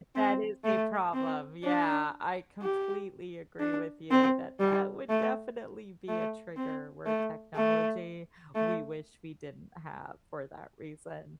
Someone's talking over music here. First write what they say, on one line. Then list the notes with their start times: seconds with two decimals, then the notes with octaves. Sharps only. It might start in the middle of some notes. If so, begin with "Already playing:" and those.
that is a problem, yeah, I completely agree with you that that would definitely be a trigger where technology we wish we didn't have for that reason.
0.15 C4
0.65 A3
1.14 C4
1.64 D4
2.62 G4
3.60 D4
4.11 C4
4.60 G3
5.09 A3
6.08 A3
6.57 C4
7.06 A3
7.55 A3
8.55 A3